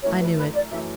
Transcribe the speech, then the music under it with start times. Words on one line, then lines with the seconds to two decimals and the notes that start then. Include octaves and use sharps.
"I knew it."
0.03 F#2 E3 A3 C#5
0.20 B4
0.37 B4
0.54 D5
0.71 F#2 E3 A3 E5